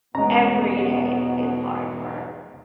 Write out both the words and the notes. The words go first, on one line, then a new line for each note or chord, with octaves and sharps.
every day, it's hard work.
E2 G#2 B2 G#3 B3 C#4 A#5